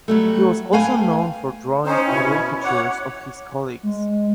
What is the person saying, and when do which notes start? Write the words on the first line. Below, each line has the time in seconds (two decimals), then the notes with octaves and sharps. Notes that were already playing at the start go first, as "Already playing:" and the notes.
He was also known for drawing caricatures of his colleagues.
0.08 F#3 G3 A3
0.73 A3 B4 F5 G5 G#5
1.85 C4 C#4 D#4 C5
2.07 B2 E4
2.64 C#5 F#5 D6
3.83 G#3